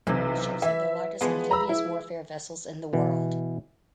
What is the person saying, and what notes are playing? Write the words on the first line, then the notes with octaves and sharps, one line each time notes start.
The ships are the largest amphibious warfare vessels in the world.
B1 C3 E3
E3 E5
E3 F3 G#3 B3
A#5 B5 E6
E4
B2 E3